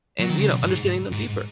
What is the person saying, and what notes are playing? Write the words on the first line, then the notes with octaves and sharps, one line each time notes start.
And, you know, understanding them deeper.
F#3
D#3
C#3
B2
G#2
G#2